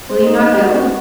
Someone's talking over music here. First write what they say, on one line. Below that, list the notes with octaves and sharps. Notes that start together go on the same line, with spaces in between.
'Will you not go?
C4
D#4
D#4
G4
F#4
F#4